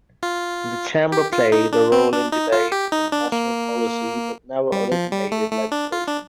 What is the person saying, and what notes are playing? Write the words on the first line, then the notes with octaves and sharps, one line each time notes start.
The Chamber played a role in debate on national policy but never originated legislation.
F4
G4
F4
D#4
D4
C4
D4
D#4
F4
G4
D#4
D4
A#3
G3
F3
G3
A3
A3
D4
F4
D4